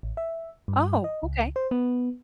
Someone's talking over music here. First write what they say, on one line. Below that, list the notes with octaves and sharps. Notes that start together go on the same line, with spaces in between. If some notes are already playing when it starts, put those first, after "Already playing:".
Oh, okay.
A1
E5
G2
D#5
C#2
C5
B3